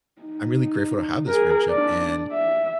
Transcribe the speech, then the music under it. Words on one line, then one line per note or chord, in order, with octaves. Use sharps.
I'm really grateful to have this friendship, and
D#4
G#4 A#4
D4 D5
E5